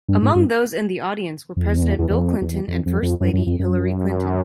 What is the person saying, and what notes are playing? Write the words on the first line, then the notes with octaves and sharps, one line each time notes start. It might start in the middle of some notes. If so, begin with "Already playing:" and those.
Among those in the audience were President Bill Clinton and First Lady Hillary Clinton.
G2
G#2
G2
F2
E2
F2
E2
E2
E2
F2
E2
F2
F2
F2
F#2
F#2
F2
F#2